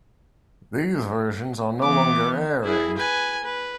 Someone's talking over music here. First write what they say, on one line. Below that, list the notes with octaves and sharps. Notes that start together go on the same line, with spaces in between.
These versions are no longer airing.
E3 B3 D6
E4 G#4
B4 G#5
B4